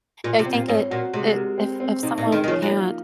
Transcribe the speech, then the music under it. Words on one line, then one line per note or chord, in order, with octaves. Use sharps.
I think it it if if someone can't
A#2 F4
C3
C4
A#2
G#2 C#5
A#2 F#4
C3 G#3
A#4
C4
C4
C3 D#4
A#2
D#4
D#3
D#3
C#3 F3
F#3
A#3